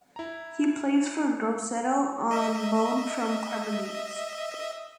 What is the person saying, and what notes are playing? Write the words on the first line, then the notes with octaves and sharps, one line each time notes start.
He plays for Grosseto on loan from Cremonese.
E4 A#5
D#5 E5